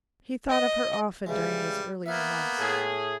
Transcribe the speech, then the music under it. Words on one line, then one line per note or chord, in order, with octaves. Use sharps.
He thought of her often during these earlier months.
D#5
C#3 E3 G3 G#3
A#3 B3 E5 F5
A2 G#4